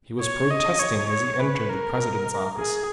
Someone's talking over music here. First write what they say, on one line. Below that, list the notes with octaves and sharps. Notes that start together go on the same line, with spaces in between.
He was protesting as he entered the president's office.
C#5
D#5
C#5
C#5
B4
A#4
G#4